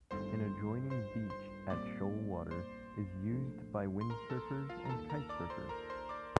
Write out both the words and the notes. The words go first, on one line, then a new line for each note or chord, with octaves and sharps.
An adjoining beach at Shoalwater is used by windsurfers and kitesurfers.
G1 G2 D#3 A3 C5 C6
C5 C6
C5 C6
A#2 G3 C4 D5 D6
C5 C6
A#1 A2 A3 D4
C6
A#4 A#5
A4 A5
F4 F5
A#5
D#2 D#3 A#3 A4 A5
A#4 A#5
D5 D6
C5 C6
A#4 A#5
C5 C6
D5 D6